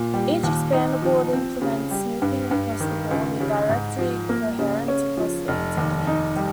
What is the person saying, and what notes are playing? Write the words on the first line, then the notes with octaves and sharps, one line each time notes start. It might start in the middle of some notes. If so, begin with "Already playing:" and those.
Each expander board implements snooping across the board, with directory coherence across the interconnect.
Already playing: A#2
G3
D#2
D#4
F3
C4
C#3
G3
G2
G2
D#3
C#2
C#3
G#2
F3
A#3
C#3
C#4
F3
F1
D#2
D#4
G3